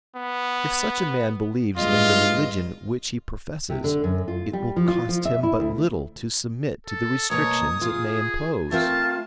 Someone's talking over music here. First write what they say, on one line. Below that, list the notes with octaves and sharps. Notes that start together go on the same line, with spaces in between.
If such a man believes in the religion which he professes, it will cost him but little to submit to the restrictions it may impose.
B3
G2 G#3 F4 D#5
C3
D3
F#2
F4
G3
F3
F4
F3
E5
E4
D2
A4
B2 A#3 C#5 A#5 D#6
F4 G#4
A3 C4 F4 A#4 A5